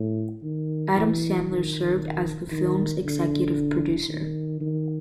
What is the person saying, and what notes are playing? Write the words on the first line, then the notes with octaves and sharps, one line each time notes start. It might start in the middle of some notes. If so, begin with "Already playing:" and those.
Adam Sandler served as the film's executive producer.
Already playing: A2
D#3
E3
D#3
D#3
D3
D#3
D#3